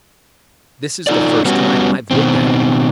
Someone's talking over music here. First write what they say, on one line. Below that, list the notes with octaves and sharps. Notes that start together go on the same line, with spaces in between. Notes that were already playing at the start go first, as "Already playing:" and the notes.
This is the first time I've looked at it.
D#4 F4 A4 D5
G3 B3 C#4 F#4
B2 D#3 C4